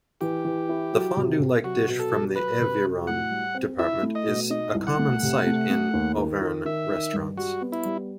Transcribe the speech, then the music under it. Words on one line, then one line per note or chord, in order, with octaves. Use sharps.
This fondue-like dish from the Aveyron department is a common sight in Auvergne restaurants.
E3 G4
E3
E4
F#3
C3
C3
F#3 F#4
B2
A4
F#3
F#3 B4
C3
F#3
A2 F#5
G3
C4
E4 E5
A3
D#5
B2
D#4 D#5
C2
F#5
A3
C3
A3
A3
D#2
D#3
D#3
D#3 E5
D#3
G2
G3 F#4
B3
E4
G3